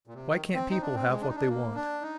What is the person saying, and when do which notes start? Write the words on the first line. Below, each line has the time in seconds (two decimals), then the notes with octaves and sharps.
Why can't people have what they want?
0.07 A#2
0.14 C3
0.27 D#3
0.54 C4
0.71 D#4
0.81 D4
0.94 C4
1.08 G#3
1.21 D4
1.29 D#4
1.36 D4
1.48 A#3
1.75 D4
2.02 D#4